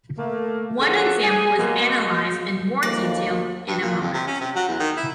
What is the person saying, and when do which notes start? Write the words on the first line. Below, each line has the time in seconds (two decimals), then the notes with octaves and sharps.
One example is analysed in more detail, in a moment.
0.18 A3 A#3
0.80 D3 F3 A#3 G#4 C#5 F#5
1.23 G#4 G#5
1.58 B2 F#3 G#3 A#3
2.83 D#2 F3 A3 A#3 D5
3.68 G2
3.82 A#2
4.01 F2
4.13 C3
4.27 C#4
4.41 C3
4.56 F#3
4.68 E2
4.80 D#3
4.97 E4